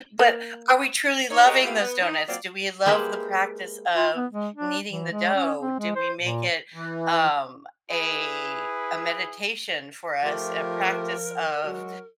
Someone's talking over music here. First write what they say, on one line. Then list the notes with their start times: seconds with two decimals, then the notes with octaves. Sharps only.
But are we truly loving those donuts? Do we love the practice of kneading the dough? Do we make it, um, a a meditation for us, a practice of
0.19 A#3
1.31 D#4 C#5
1.46 G4 G#4 A#4 C#5 D#5
1.62 A3 B3 E4 F4 G4 B4
1.79 B3
2.02 D#4
2.28 F#3 A#3 C4 F4 D5
2.86 G#3 A#3 E4 G4 B4 C5
3.96 F4
4.16 B3
4.33 G#3
4.55 D4
4.89 E3
5.12 G#3
5.35 C#4
5.59 C4
5.79 G#3
5.96 C5
6.21 A#2
6.74 E3
7.91 E4 G#4 B4
10.24 F3 A3 F4 G4 A#4
11.64 F#3 G#3 F#4